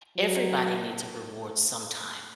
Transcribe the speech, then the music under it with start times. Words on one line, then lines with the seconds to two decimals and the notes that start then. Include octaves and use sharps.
everybody needs a reward sometime,
0.17 F#3